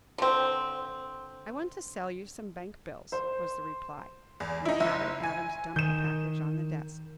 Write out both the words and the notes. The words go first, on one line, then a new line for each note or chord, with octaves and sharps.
"I want to sell you some bank bills," was the reply, and Adam Adams dumped the package on the desk.
D3 C4
C5
E2
D#4 E4
F#1 E5
G#5
D#3 G6 E7